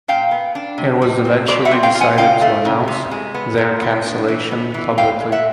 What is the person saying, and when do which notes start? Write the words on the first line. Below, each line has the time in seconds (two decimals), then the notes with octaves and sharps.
It was eventually decided to announce their cancellation publicly.
0.08 A#2 F5 G5
0.31 B3
0.55 D4
0.78 C3
1.02 G3
1.25 C4
1.48 B2 C5 D5
1.65 E5 F#5
1.71 C4
1.83 F5 G5
1.95 F4
2.00 F#5 G#5
2.18 C#3 F5 G5
2.41 A3
2.65 C#3
2.88 C3
3.11 G#3
3.34 B3
3.58 A#2
3.82 B3
4.05 D4
4.28 E3
4.51 B3
4.74 E3
4.98 A2 F5 G5
5.21 G#3
5.32 E5 F#5